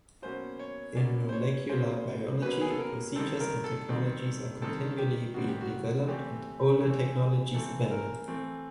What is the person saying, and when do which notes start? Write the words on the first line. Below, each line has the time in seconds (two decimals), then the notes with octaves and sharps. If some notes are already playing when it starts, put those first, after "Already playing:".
In molecular biology, procedures and technologies are continually being developed and older technologies abandoned.
0.22 B2 F#3 A#3 C#4 C5
0.59 C#5
0.95 B2 F#3 A#3 C#4 D5
1.29 C5
1.32 C#5
1.69 B2 F#3 A#3 C#4 C5
2.42 B2 F#3 A#3 C#4 B4
2.61 G#4
2.70 A4
2.79 A#4
3.15 D#3 G3 C4 A4
3.40 A#4
3.64 A4
3.88 D#3 G3 C4
4.62 D#3 G3 C4 A4
4.98 G4
5.34 D#3 G3 C4 F#4
5.48 G4
5.61 F#4
6.07 E3 A3 C4 G4
6.82 E3 A3 C4
7.54 E3 A3 C4 A4
7.91 A#4
8.28 E3 A3 C4